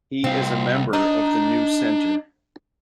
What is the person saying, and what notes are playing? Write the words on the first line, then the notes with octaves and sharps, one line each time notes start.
He is a member of the New Centre.
C2 C4 F5
D4 D#4